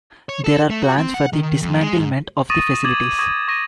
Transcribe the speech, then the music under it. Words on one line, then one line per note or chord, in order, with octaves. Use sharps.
There are plans for the dismantlement of the facilities.
C#5
A4
A3
F#4
C4
F#5
D#3
F2
G#3
G#2
C#6 D#6 A6 A#6 D#7
C#6 D6 G#6 A6 E7 F#7
C#6 D#6 G#6 A#6 D#7
C#6 A#6 D#7